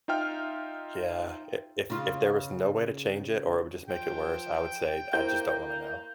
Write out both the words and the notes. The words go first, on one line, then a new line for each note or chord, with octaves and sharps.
Yeah, i if if there was no way to change it, or it would just make it worse, I would say, "I just don't wanna know."
D#4 F4 E5 G5 F6
C#3 F4
F3 G5
A#3 E4 C5 G6